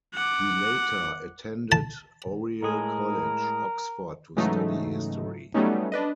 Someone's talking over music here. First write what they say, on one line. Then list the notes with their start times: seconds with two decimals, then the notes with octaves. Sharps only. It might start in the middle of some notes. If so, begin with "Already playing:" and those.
He later attended Oriel College, Oxford to study History.
0.14 F#5 D6
1.72 A5
2.63 A2 G#3 G#4 A#4
4.36 G#2 C#3 E3 F#3 A3 D#4
5.54 F#3 G3 A3 B3 C#4 D#4
5.92 D4 B4 D#5